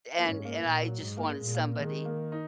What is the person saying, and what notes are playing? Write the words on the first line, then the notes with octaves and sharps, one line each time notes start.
And and I just wanted somebody
A#3
G#2 C#4
A#3
A#2 A#3
F#3
G#2
A#3
G#3
A#2
G#3
A#3
D#3 G#3
A#3
D#4